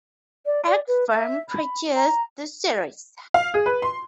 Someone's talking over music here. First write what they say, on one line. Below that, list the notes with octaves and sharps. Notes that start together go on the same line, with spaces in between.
Egg Firm produced the series.
D5
D5
B4
E5
B5
A#5
F5
G#4
B4
C6